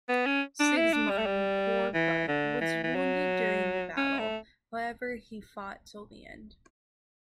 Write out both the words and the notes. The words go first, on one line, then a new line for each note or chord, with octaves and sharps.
Sigismund Korybut was wounded during the battle, however he fought till the end.
B3
C#4
D4
E4
D4
G3
A3
G3
E3
D3
E3
E3
F#3
C#4
A3